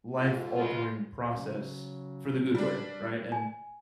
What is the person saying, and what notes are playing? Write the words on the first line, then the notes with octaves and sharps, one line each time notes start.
life-altering process for the good way. Right, and
F2 G#2
G2 G#3 F4
C#3 F#3
G3 D4
G#5